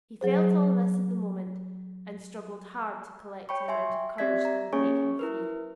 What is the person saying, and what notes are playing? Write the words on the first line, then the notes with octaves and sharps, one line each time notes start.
He felt all this at the moment, and struggled hard to collect an amount of courage that would make him free.
F#3 G#4 C5
C#5 G5 B5 C#6
E5 G#5 C6
C4 G4 D5 E5 G#6 B6
A#5
A#3 C#4 G#4 C#5 G#5 C#6
E4 A#4 B4